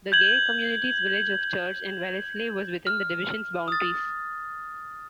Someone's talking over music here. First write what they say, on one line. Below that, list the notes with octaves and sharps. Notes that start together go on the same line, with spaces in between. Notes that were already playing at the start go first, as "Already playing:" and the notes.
The gay community's village of Church and Wellesley was within the Division's boundaries.
G6 G#6 F#7
F6
D#6 A6